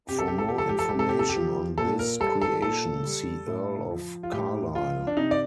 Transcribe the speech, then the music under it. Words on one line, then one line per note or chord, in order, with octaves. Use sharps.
For more information on this creation, see Earl of Carlisle.
C3 G4
A4
G4
A4
F3 G4
A4
G4
A4
C3 G4
A4
G4
A4
G4
F3
A#2 A4
A#4
G3 A4
A4
A#2 A4
G3
A2
F3
F4
A2 G4
F3 F4
D4
C3 D#4
D5